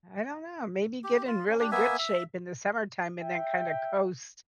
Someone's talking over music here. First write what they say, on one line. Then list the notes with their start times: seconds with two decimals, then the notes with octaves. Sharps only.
I dunno. Maybe get in really good shape in the summertime and then kinda coast
1.04 G4
1.27 F4
1.48 C#4
1.60 D4 G4
1.72 A#3 B3 E5 G#5
1.99 E5
3.21 E5 G5